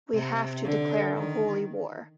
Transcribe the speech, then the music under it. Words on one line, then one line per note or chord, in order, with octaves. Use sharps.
We have to declare a holy war.
C3
D3
D#3